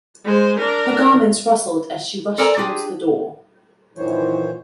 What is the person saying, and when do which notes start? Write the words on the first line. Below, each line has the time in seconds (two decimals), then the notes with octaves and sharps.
Her garments rustled as she rushed towards the door.
0.24 G#3 C5
0.58 D4 A#4
2.38 A4 A#4 C5 D5 G#5 A#5
2.57 D4 F4 G4 G#4
3.98 F#2 A#2 D#3 E3 C5 C#5